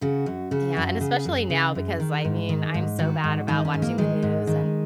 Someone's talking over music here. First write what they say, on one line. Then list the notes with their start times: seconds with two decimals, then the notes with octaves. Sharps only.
Yeah, and especially now because, I mean, I'm so bad about watching the news and
0.01 C#3 F#4
0.26 F#2
0.51 C#3 F#4
0.77 F#2
1.01 C#3 G#4
1.25 F#2
1.50 C#3
1.75 F#2
2.00 D#3
2.25 G#2
2.49 D#3
2.74 G#2
2.99 D#3 F#4
3.24 G#2
3.48 D#3 D#4
3.65 C#4
3.74 G#2
3.82 A#3
3.98 D#3 G#3
4.22 G#2
4.47 D#3